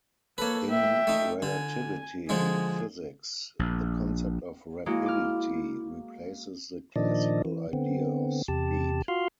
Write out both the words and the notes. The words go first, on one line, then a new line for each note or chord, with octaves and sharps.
In relativity physics, the concept of rapidity replaces the classical idea of speed.
A#3 A4 B4 C#5
E5 G5
A3 D#4
D3 G#5
D3 F3 G#3 G#4
A#1
G#3 A#3 E4 F#4
D6 F6
A#2 D#3 F3 D4 D5 D#5
E3
D3 B3 C4
E2 C3 G4 A5
F4 F#4 F5 C6 F6